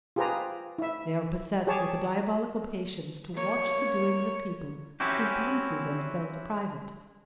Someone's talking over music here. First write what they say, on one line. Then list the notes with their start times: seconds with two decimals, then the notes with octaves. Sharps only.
They are possessed with a diabolical patience to watch the doings of people who fancy themselves private.
0.16 F4 G4 G#4 B4 C5 A#5
0.78 E4 E5
1.67 G4 G#4 C#5 A5
3.35 A#3 C#5
5.00 C4 C#4 E4 F#4 G4